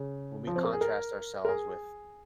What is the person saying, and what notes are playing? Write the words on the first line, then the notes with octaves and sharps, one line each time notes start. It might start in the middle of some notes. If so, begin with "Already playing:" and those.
When we contrast ourselves with
Already playing: C#3
F3
C4
A#4
G#4
A#4
A#4
G#4